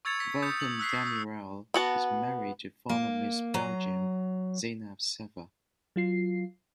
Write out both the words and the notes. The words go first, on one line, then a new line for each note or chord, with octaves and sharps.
Volkan Demirel is married to former Miss Belgium Zeynep Sever.
C#6 E6 G#6 A6 C#7 F7
B6
D#6 G6 C#7
D#6 F#7
E6 F#6 B6 C7
E6
B3 F#4 A5
A#3
F#3 A#5
F#3 F4 C7